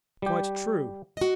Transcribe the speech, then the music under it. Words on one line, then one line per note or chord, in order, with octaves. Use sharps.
Quite true!
G3 G4
F#4 D#5